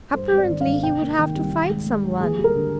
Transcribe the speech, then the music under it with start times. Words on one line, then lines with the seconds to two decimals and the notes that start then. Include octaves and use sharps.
Apparently, he would have to fight someone.
0.14 G2 C5
0.32 G#1
0.38 D5
0.50 D#3
0.61 F5
0.66 G#1
0.83 C3 G5
1.01 A#3
1.18 D#3
1.35 C2
1.52 D#3
1.69 G#2
1.86 G#3
2.04 G#2
2.20 D#2 G#4
2.39 G3
2.44 A#4
2.55 D3